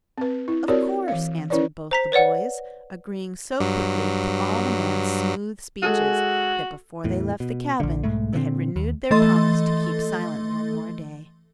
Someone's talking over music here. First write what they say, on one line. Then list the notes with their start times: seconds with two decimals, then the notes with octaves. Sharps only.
"Of course," answered both the boys, agreeing so quickly to all the man's smooth speeches that, before they left the cabin, they had renewed their promise to keep silent one more day.
0.18 C4 B4
0.48 E4
0.68 C4 F#4 G4 A#4 C#5 D5
1.08 E3 F5
1.50 C#4 E4 B4 C#5 D5
1.91 C5 A#5 B6
2.12 B4 C#5 D5 F#5
3.60 G2 F#3
5.83 G#3 F#4 G#4 A4
7.04 E2 A2
7.40 B2
7.80 A#1 D3
8.03 B1 G#2 G#3 A3
8.33 A#2 D3 B3 C4
8.76 D#2
9.11 E3 A3 A4 D#5 C6 A6